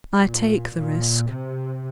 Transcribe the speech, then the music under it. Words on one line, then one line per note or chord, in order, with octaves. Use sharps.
'I take the risk.
A#2
A#2
C3